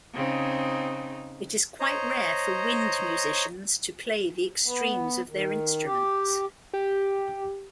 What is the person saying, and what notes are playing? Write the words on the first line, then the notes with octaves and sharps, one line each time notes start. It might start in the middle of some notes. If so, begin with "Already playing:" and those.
It is quite rare for wind musicians to play the extremes of their instruments.
C#3 C4 D#4
C5 C#5 D#5 A#5
B3
D#3
G4
G4